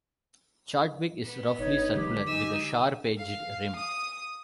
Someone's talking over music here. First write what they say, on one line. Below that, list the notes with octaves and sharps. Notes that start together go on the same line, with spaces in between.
Chadwick is roughly circular with a sharp-edged rim.
B3
G#1 D#4 C#5
D3 F#3 G#3 G4
D#4 G#5 E6
F5
D#6